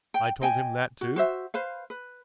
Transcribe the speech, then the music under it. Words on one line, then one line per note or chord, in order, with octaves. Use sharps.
"I told him that too?"
G5
D#5 G5 G#5
F#4
F#4 C5 E5
B4 C5 F5
B4